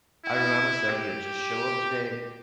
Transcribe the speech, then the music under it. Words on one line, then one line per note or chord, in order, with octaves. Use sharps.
I remind myself, you know, "Just show up today,"
E4
G4